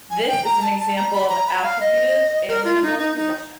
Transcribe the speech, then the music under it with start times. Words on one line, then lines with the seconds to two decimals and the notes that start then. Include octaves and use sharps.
This is an example of attributive, alienable possession.
0.10 G#5
0.22 G#5
0.28 G5
0.45 A#5
0.62 A5
0.79 A5
0.96 A#5
1.13 B5
1.29 A#5
1.47 B5
1.63 F5
1.80 D#5
2.48 A#4
2.65 F4
2.82 D#4
2.99 D#4
3.16 D#4